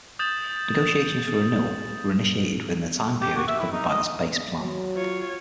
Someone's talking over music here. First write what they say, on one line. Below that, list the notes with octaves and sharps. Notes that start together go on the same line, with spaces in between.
Negotiations for renewal were initiated within the time period covered by this Base Plan.
D#6 G6 A6 E7 F#7
G4
F#4
E5
E4
D#4
D#5
F#3
F4 C#5